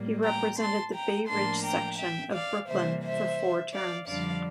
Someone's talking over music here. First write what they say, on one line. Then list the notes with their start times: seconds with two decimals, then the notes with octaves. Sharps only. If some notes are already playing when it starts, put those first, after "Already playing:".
He represented the Bay Ridge section of Brooklyn for four terms.
Already playing: A2 G3 A#3
0.23 G5 A#5
0.59 A5 C6
0.94 G5 A#5
1.28 A2 F3 A#3 D4 A5 C6
1.63 G5 A#5
1.98 E5 G5
2.33 D5 F5
2.68 C3 E3 G3 A#3 C5 E5
3.03 C5 E5
3.73 D5 F5
4.08 F2 D3 G3 D4 D5 F5